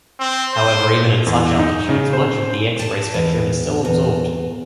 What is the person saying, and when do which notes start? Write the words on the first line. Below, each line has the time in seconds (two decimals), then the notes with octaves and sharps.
However, even at such altitudes, much of the X-ray spectrum is still absorbed.
0.19 C4
0.54 C5
1.26 E2
1.59 D#4
1.89 C#3
2.13 C5
2.79 A5
3.14 E2
3.85 E2